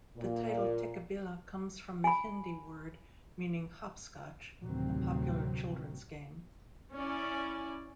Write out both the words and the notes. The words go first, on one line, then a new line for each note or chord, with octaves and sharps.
The title "Tikkabilla" comes from the Hindi word meaning "Hopscotch", a popular children's game.
A#2
G#5 B5
A1 D2 C3 D#3 F#3 C4
C#4 E4 D5